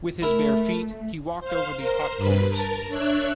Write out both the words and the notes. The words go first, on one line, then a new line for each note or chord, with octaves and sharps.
With his bear feet, he walked over the hot coals.
A3 E4 A#4
C5 F5
A#4 C5
G2 B4
A#4 A5
D4 C#5 E5 F#6